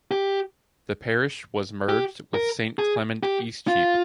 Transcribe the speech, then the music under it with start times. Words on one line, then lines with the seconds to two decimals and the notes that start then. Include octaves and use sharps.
The parish was merged with Saint Clement Eastcheap.
0.11 G4
1.89 G4
2.34 A#4
2.79 G#4
3.23 G4
3.68 F4